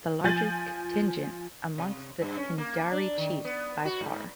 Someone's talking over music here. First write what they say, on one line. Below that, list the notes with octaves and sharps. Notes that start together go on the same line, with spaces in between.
The largest contingent amongst the Pindari chiefs, by far.
F3 G#5 G6 A6 F#7
C3
G2
C#4
A#3
D4
D#3
B3
F#4
G#2